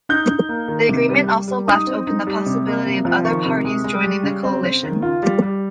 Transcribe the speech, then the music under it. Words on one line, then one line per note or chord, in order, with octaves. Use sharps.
The agreement also left open the possibility of other parties joining the coalition.
D#4 G6
D#4
A#3
D#3
C3
G3
G3
G3
D#4 D#6
C4
D#4
G3
C3
A#3
C3
F3
D#3 C#6
C3
G#3
G#3
G3
C#3
C4
C#3
D#3
F4
G3
G3